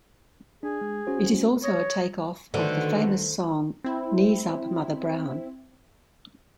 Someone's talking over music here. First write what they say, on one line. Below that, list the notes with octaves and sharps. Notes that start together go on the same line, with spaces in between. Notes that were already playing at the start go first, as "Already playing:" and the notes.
It is also a take off of the famous song "Knees Up Mother Brown".
D4 G#4
G#3
C#4 F#4 C5
C#5 D#6 A#6
D3 D#3 A3 B3 F#4 A4 C5
C4 E4